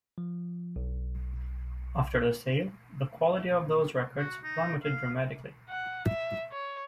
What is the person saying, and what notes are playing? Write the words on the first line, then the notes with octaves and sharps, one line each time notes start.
After the sale, the quality of those records plummeted dramatically.
F3
B1
F#4
D#4
F5
F#5
E5
C#5